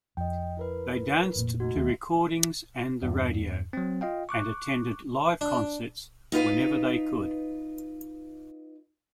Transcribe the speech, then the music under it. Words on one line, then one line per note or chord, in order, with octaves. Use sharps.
They danced to recordings and the radio, and attended live concerts whenever they could.
F2 D#5 G5
E4 A#4 B4
F1 A#2
A3 D#4 F#4
D#2 E5
E2 G2
F#3 C4
F4 D#5 F5 G5
C#6 D6 F#6
D4
D#4 F4 B4 F5